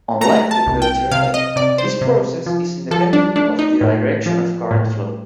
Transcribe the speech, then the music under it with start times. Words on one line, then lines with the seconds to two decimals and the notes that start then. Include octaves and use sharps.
Unlike the Peltier effect, this process is independent of the direction of current flow.
0.21 A3 A#5
0.51 A5
0.67 C2
0.82 G5
1.11 C3 F5
1.34 D#5
1.56 C3 D5
1.78 C5
2.01 C3
2.46 F3
2.91 F3 A4
3.13 D4
3.36 A3 D4
3.59 D#4
3.81 A2
4.26 F3
4.71 A2